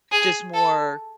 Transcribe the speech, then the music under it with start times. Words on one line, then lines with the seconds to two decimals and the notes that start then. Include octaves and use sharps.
just more
0.12 G#4
0.54 A4